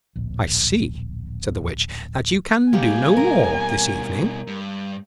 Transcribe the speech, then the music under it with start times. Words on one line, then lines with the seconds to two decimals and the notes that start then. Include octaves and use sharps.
'I see,' said the Witch, 'that you can do no more this evening.
0.16 D1 A#1
2.73 B2 G3 A#3 G4 G#5
3.17 A#4
4.47 G2